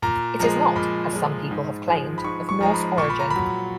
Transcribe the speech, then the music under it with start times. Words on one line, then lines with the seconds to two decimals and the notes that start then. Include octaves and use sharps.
It is not, as some people have claimed, of Norse origin.
0.02 A#2 A#5
0.39 F3 G#3 A#5
0.76 A#2 B5
1.13 F3 G#3
1.51 G#2
1.88 F3 G#3
2.18 B5
2.24 G#2 C#6
2.49 C#6
2.61 F3 G#3 A#5
2.74 B5
2.98 A#2 C#6
3.10 B5
3.19 A#5
3.30 B5
3.36 F#3